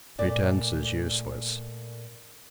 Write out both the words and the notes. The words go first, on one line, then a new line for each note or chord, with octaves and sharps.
Pretence is useless.
A#2 A3 D5